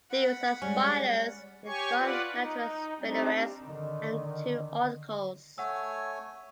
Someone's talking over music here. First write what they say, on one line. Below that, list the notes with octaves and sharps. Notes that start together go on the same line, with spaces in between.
These are spiders with long lateral spinnerets and two articles.
F#5 B5
G3 G#3 C#4 D5
G4 C#5 G#5 C#6
F4 B4 D5 F#5
D#4
G3 C4 D4 D#4
D3 D#3
A3 C#5 F#5 G#5 E6